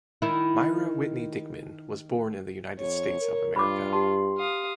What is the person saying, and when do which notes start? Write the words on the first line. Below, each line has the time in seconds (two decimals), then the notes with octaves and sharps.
Myra Whitney Dickman was born in the United States of America.
0.22 D#3 E4
2.79 F2 C#5
3.20 A#4
3.56 G2 F4 B5 D6
3.93 G4 A5 C6
4.38 F5 D#6